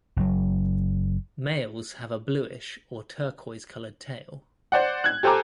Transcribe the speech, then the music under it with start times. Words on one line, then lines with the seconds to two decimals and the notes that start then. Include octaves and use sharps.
Males have a bluish or turquoise coloured tail.
0.16 F#1 F#3
4.72 C5 D5 F#5
5.04 F#6 G#6
5.23 G4 A4 C5 G#5 A#5 D6